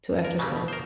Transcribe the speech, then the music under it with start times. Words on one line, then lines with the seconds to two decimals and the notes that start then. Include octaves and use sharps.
to exercise?
0.25 A#4
0.39 C#3 F#3 G3 A3
0.55 B2
0.68 A#4 C5